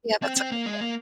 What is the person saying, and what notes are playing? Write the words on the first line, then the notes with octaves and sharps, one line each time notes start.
yeah, that's a good point.
C4
C4
A#3
G#3
A#3